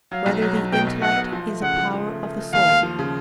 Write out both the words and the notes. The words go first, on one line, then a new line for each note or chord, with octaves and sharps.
Whether the Intellect Is a Power of the Soul?
F#3 F5
B1
F#3
B1
B2 G5
B1
B1 F#5
B2
F3
A3
C#3 F#5
F3
F3
A3
A3
A3
D#2 F5
D#2
F3
C#3